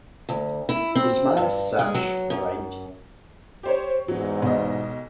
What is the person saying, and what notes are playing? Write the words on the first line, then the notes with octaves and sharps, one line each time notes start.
Is my sash right?
D2
E4
C4
G2
G#3
F#3
F#2
G4 C5 C#5
E2 G#2 F#3
B1 D#5